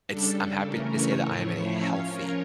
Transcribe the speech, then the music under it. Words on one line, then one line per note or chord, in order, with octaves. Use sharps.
It's I'm happy to say that I am in a healthy
C#3 G3 D4 A4
A4
C#3 E3 A3 C#4 A#4
C#5
A2 F3 A3 E4
C#5
F3 C#4 F4
A#4